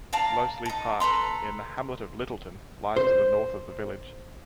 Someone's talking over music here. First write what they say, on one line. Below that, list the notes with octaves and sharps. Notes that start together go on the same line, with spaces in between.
Loseley Park, in the hamlet of Littleton, lies to the north of the village.
D5 F5 A5 A#5
D#4 A5
A4 B4 A#5 C6
C5